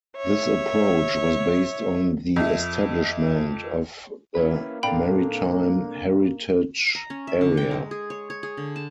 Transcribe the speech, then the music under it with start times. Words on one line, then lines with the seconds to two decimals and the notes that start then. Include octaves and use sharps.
This approach was based on the establishment of the Maritime Heritage Area.
0.17 C#5 E5
2.36 F2 E5
4.35 A#3 C#4 E4 B4
4.83 A#2 C4 D4 A4 D5 F5 G5 B5
6.95 A#5
7.10 C#4
7.27 E5
7.41 D3
7.57 G5
7.71 G#3
7.91 G#4
8.10 C#5
8.30 C#5
8.43 G#4
8.57 D3
8.76 A5